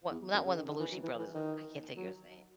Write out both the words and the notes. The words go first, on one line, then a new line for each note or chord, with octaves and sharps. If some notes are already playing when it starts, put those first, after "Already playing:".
what not one of the Belushi brothers, uh, I can't think of his name.
E2
F#2
C#3
D#3
D#3
E3
F#3
E3
E3
D#3
F#3